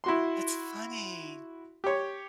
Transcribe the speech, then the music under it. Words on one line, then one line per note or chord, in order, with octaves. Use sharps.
That's funny.
E4 F#4 C6
G4 C#5